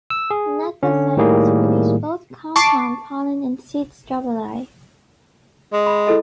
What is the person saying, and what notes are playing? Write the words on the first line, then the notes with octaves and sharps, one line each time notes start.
Gnetophytes produce both compound pollen and seed strobili.
E6
G#4
D3 C#4
A2 D#3 G3 A#3 G#4
A5 C#6 D6 C7 D7
G#3
B5
E4 A4 D#5